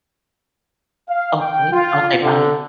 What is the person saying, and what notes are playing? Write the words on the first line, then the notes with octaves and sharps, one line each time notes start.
okay, okay, by
F5
G5
F4
D3